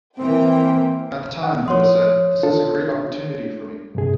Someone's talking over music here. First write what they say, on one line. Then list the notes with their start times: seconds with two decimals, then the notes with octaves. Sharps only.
At the time, Lewis said: This is a great opportunity for me.
0.18 E3 A#3 C4 G5
1.43 F#5
1.66 F3 C#5 C6 D#6
2.43 D4 F4 A4
2.86 D4
3.95 G2 C3 G#4